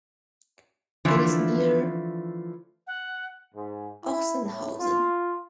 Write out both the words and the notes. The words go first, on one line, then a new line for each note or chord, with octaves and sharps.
It is near Ochsenhausen.
D3 E3 F3 A3 E4
F#5
G#2
E4
A2
F4